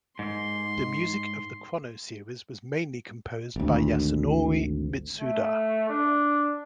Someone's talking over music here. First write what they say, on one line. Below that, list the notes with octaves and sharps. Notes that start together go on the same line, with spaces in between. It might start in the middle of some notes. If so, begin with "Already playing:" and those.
The music of the "Chrono" series was mainly composed by Yasunori Mitsuda.
G#2 C6
G#1 D2
A3
D4